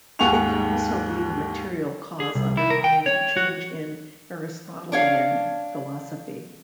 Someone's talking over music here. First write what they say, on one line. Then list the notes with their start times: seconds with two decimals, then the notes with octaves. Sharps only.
It can also be the material cause underlying a change in Aristotelian philosophy.
0.19 D#2 G#2 F#5 G#5 C#6 F7
2.20 G#4
2.35 C2
2.57 E4
2.70 A#4
2.84 G5
3.06 C#5
3.37 F#4
4.92 D4 C#5 F5